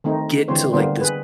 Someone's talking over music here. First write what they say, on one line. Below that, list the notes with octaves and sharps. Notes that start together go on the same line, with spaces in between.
get to, like, this
D#3 A3 C4 D#4
D3 E3 G#3 C4 C5 C#5
D3 G3 A#3 B3 C5
G#4 B4